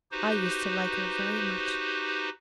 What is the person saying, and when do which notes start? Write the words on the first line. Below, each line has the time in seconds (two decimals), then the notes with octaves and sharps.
I used to like her very much.
0.11 D#4 F#4 G4 B4 C5